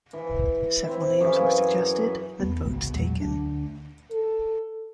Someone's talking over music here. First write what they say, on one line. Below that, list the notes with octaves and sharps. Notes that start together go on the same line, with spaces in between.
Several names were suggested and votes taken.
E3
C4 E4
E4
F#2 E3 G#4 F5
G#5
B4
E2 A3 B3
G#1 C#2 B2
E2 A#2 F#3 G#3
D2 D4
A4